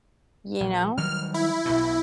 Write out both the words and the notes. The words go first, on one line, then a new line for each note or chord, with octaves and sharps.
You know?
A#1
D#3 F#3 G3 F6
E4
B1 B2